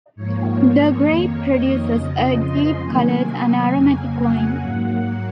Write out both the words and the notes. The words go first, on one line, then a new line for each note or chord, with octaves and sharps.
The grape produces a deep-colored and aromatic wine.
G#2 F3 A#3 C#5
F2 D#3 A#3
D#5
F2 C#3 F3
C6
C3 D#3 F#3 A#3 G#5
G#5
F2 C#3 F#3 A#3
F#5
G#2 F#3 A#3 F#5